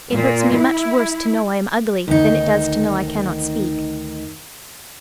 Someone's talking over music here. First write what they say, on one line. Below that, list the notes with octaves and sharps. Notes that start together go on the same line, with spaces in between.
It hurts me much worse to know I am ugly than it does to know I cannot speak.
A#2
E4
D2 D#3 D#4